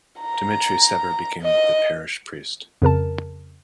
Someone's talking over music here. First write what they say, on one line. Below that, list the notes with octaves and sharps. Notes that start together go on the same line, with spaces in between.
Dimitri Sever became the parish priest.
A#5
D#5
F2 C#3 A#4 A5